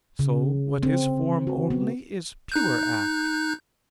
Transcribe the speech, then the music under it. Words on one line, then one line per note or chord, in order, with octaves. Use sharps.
So what is form only is pure act.
C#3
C4
F#4
B3
D#4 F#6 G6